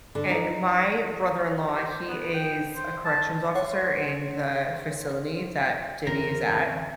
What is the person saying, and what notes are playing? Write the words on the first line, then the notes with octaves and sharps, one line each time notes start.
And my brother-in-law, he is a corrections officer in the facility that Diddy is at,
D3
D#4
G4
C5
B3
G5
C5
A5
C#5 F#5 C6
F2 D3 E3 C4 C#4 A#4 A#6